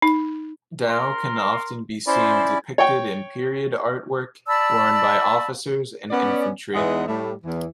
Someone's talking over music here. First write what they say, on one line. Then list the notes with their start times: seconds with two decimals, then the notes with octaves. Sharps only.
Dao can often be seen depicted in period artwork worn by officers and infantry.
0.02 D#4
0.88 A#4 C6
2.07 C#4 E4 C5 D5
2.78 C#5 G5
4.47 D5 A5 B5 E6
6.11 B3 C#4 D5
6.74 E2 E3 G#3 B3 D#4 F#5
7.07 A2 G3 A3
7.44 E2 E3